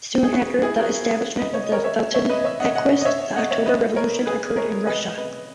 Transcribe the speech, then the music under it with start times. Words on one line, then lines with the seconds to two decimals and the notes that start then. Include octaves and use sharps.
Soon after the establishment of the Felton Bequest, the October Revolution occurred in Russia.
0.23 G#4
0.33 F#4
0.63 E4 G#4
0.78 F#4 A#4
1.38 B4 D#5
1.54 C#5
1.63 D#5
1.72 A#4 C#5
1.84 C#5 E5
2.14 C#5 E5
2.29 B4 D#5
2.40 D#5
2.44 C#5 E5
2.60 D#5 F#5
2.75 D#5 F#5
3.01 D#5
3.05 C#5 E5
3.36 D#5 F#5
3.51 C#5 E5
3.66 B4 D#5
3.96 A#4 C#5
4.26 G#4 B4
4.56 A#4 C#5
4.87 B4 D#5
5.18 B4 D#5